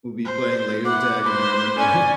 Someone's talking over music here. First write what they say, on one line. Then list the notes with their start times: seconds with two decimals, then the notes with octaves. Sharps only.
we'll be playing laser tag, and I remember
0.25 C5
0.85 E4 F#5 D6
1.24 B4 C5
1.78 C#4 D5 G#5